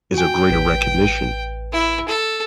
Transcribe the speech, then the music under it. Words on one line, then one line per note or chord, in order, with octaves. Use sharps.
is of greater recognition.
F#4 G5 G#5
A1 B4 B6
E4
A4